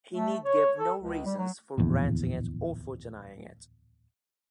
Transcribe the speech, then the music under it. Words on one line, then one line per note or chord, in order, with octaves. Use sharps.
He need give no reasons for granting it or for denying it.
A3
C#5
A4
C#2
G3
F#3
D1 A#1 E2